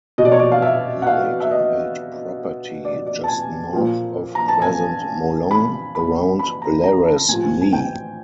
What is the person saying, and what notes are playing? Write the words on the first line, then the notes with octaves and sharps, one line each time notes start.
He later held property just north of present Molong, around Larras Lee.
B2 D#5
D5
C#5
D5
F5
E5
F#5
F5
E5
D#5
D5
D5
A5
G#5
A#2 F3
A#5
A5
G#5
B5
B5
B5
A#5
A#5
A5
A2 F3 G#5
G#5
G5